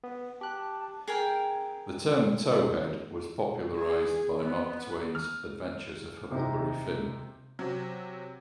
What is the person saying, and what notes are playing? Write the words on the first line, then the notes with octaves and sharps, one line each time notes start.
The term "towhead" was popularised by Mark Twain's "Adventures of Huckleberry Finn".
B3
G4 A5 F#6
G#4 A#4 G5
G#4
B3
F6
C3 D#4
C3 F#3